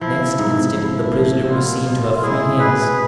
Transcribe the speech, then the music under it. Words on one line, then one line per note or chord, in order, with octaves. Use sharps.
Next instant the prisoner was seen to have free hands.
F3 E4
G#2
F3 E4
F3
B2 F4
B2
F4
G#3 E4 G#4
B2 G#4 B4